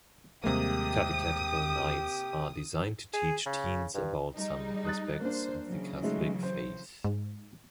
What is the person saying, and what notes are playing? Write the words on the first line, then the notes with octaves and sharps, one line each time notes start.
Catechetical nights are designed to teach teens about some aspect of the Catholic faith.
D#2 C3 G3 G#3 A#3 G4 D#6
G#4
C#3
G2
G3 G#3 D#4
D#6 F#6 A6
A#3 D4 C5
C#3 E3 F#3
G#3 A3 D#4
C5
G#2